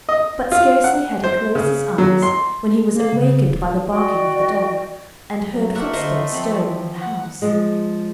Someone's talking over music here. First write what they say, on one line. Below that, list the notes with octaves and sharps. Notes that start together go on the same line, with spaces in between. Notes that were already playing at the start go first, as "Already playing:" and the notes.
But scarcely had he closed his eyes when he was awakened by the barking of the dog, and heard footsteps stirring in the house.
D#5
F4
F#5
C5
C#3
F#3
C6
A#3
C#3
D#1
F#4 D5 D#5 G5
F#3
A3 A#3 A#4 E5 F#5
D3 C5 D#5 E5
F3 C4 B5
F#5
F3 G#3